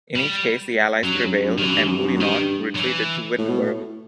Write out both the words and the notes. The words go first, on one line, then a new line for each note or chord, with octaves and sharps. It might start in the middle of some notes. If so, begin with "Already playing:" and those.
In each case the Allies prevailed and Oudinot retreated to Wittenberg.
G3
F#2 F#3
G2
F#2
G2
F#2
G2 D#3
F#2 E3
G2
F#2
G2
F#2
F#2
G2 D#3
F#3
E3
A2
B2
A2